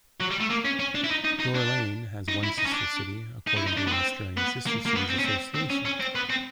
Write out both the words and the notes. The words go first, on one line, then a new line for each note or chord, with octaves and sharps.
Deloraine has one sister city, according to the Australian Sister Cities Association.
F#3
G3
A3
A#3
C#4
C#4
D4
E4
D#4
D#4
D#4
D4
D#4
E4
D#4
C#4
D4
D#4
E4
D#4
D4
B3
C4
B3
A#3
A#3
B3
C4
C#4
C4
C4
C#4
C#4
C4
B3
C4